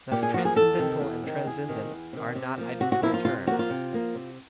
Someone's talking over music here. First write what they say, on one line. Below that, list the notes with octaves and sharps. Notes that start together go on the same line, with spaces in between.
Thus transcendental and transcendent are not identical terms.
A#2 G4
G#4
F3 A#3 F#4
G#4
E2 A4
C3 D#3
E2
C3 D#3
E2 G#4
C3 D#3
E2
C3 D#3
C3
F3 A#3
C3 F#4
F#4
F3 A#3 E4
F4
C3 F4
F3 A#3 F#4
F4
C3
F3 A#3
C3